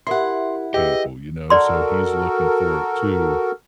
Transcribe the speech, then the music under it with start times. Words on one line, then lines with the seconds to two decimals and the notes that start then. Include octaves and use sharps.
people, you know, so he's looking for it too.
0.07 E4 G4 A#4 E5 F#5 C6
0.74 G4 G#4 B4 D#5 E6
1.50 F#4 A4 A#4 D5 C6